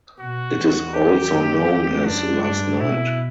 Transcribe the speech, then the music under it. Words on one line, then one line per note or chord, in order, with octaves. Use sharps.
It is also known as "Last Night".
B2 F#4
E2
G4
F#2
E2
F#2 D4
G2 D4
B2 E4